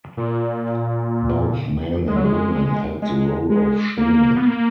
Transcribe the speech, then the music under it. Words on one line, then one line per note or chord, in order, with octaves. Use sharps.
Both men and women held the role of shaman.
A#2
G#3
F#3
G#3
G#3
G#3
A#3
B3
A#3